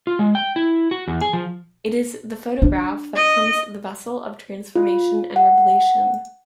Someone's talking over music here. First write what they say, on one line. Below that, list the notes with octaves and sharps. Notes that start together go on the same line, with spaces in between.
It is the photograph that becomes the vessel of transformation and revelation.
F4
G#3
G5
E4
F#4
E2
G#4
F3
D4
D#5
F4
F#5